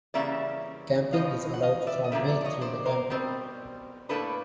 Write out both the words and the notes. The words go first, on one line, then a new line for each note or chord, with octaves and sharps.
Camping is allowed from May through November.
C#3 E3 G3 A#3 C#4 D5 E5
A2 F3 G#3 D#5 F5
F#5
D#5 F5
D5 E5
D#5
D3 F3 A#3 D4 D5 E5
D5 E5
D5
C#5 D#5
C5 D5
A#4 C5
B2 G3 C4
A2 F3 A#3 D4 A4 B4